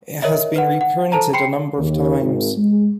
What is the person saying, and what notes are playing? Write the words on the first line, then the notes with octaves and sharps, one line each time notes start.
It has been reprinted a number of times.
A#4 C#5 D#5 E5
B4 F#5
F#5
A4 C5 A5 A#5
G5 B5 C6 C7 C#7
D#2
G#1
G#3